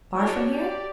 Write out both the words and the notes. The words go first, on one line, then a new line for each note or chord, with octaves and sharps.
"Far from here?"
D4 E4 F#4 A#4 C#5 D5
G4 D5